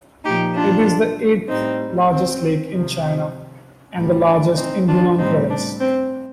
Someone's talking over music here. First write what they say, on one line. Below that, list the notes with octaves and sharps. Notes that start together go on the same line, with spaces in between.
It is the eighth largest lake in China and the largest in Yunnan Province.
A#2 F3 D#4 G4
D4 F4
A2 G3 C4 D#4
C4
C3 F3
C4
A2 G3
D4
C4 D#4
D4 F4
A2 G3 C4 D#4
D4
C4